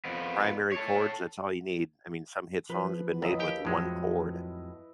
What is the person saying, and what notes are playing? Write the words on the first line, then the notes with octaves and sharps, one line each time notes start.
primary chords, that's all you need. I mean, some hit songs have been made with one chord.
F2 B3
A4 C#5
F3 B4
C#2 F#2 E4 D#5
D#2 G4 G5
F2 A2 F3 F#3 G#3